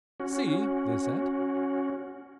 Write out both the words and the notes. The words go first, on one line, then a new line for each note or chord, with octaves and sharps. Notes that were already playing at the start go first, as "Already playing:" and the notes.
"See!" they said.
C#4 F#4